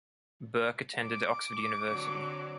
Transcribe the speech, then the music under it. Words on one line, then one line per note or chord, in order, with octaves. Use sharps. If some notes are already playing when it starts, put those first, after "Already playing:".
Burke attended Oxford University.
D6
D3 F#3 C4